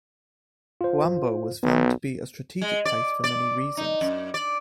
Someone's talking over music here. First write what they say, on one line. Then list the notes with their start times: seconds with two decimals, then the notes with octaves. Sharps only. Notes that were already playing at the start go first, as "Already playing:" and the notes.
Huambo was found to be a strategic place for many reasons.
0.81 F4 C5
1.63 B1 B3
2.62 G#3
2.85 D5
3.24 D5
3.77 D#4
4.01 F#2
4.34 D5